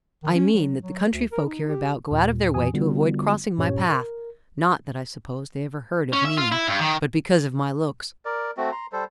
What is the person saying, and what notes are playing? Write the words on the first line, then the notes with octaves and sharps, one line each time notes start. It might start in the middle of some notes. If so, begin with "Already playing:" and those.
"I mean that the country folk hereabout go out of their way to avoid crossing my path--not that, I suppose, they ever heard of Mina, but because of my looks."
D#3
C#4
F#3
F#3
D2
A#4
D#4
G4
D#2 A#2
F2 A#2 E3 G#5 D#6
D3 G3 B3 F4 F#4
G2 A#2 C#4 G4 C#5
A#4
C#4
E5
F4
E4
G2
D#3
A#4 D5
A3 C4 F#4
A#5 C6
G3 A4 C5